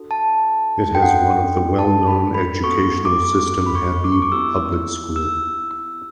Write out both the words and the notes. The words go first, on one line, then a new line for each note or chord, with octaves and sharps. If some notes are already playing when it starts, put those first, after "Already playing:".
It has one of the well known educational system Habib Public School.
Already playing: D4 F#4 A4
A5
D4 F#4 A4 G5
F#5
G5
A5
B5
B5
B3 F#4 A4 C#6
D6
D6
B5
C#6
D6
C#6
D6
B3 E4 G4 E6
E6